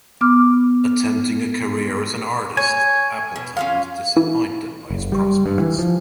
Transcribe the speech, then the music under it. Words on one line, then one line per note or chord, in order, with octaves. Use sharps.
Attempting a career as an artist, Appleton was disappointed by his prospects.
B3 D6 F6
C#5 G#5
B2
C#4 F4 F5
E3
F#1
G3
G2
E3
F3